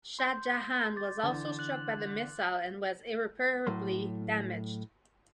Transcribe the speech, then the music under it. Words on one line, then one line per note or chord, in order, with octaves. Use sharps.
"Shah Jahan" was also struck by the missile and was irreparably damaged.
C6 G6
D6 A6
D3 E3
F#6 F#7
A2 F#3 C6